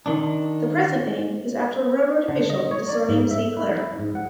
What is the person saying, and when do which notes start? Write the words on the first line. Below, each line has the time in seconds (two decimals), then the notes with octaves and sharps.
The present name is after a railroad official with the surname Saint Clair.
0.06 D#3 D4
2.28 D3
2.50 D#5
2.71 C#5
2.89 D5
3.09 G#2
3.31 E5
3.57 E4
3.76 E4
3.99 G#2
4.15 F#5